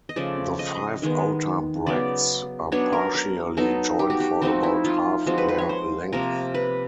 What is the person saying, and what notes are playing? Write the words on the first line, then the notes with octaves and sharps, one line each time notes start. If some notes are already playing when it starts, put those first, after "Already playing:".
The five outer bracts are partially joined for about half their length.
D#5
C#3 F3 A3 D5
D#5
D#3 G#3 B3
C#3 F#3 B3 D5
F#3 B3 D4 C#5
A#4
A#4
F#3 B3 D#4 A4
G4
F#4
G4
F3 A3 C4 D#4 F#4
E4
F4
F3 G#3 C4 F#4
B4
B4
C#5
C5
C3 F3 A#3 A#4
B4